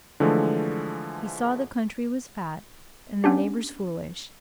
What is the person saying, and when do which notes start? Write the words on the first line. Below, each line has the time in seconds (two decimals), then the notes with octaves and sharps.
He saw the country was fat and the neighbours foolish.
0.20 D3 E3 F3 G#3 A3
3.24 B3 C#4 D4 G4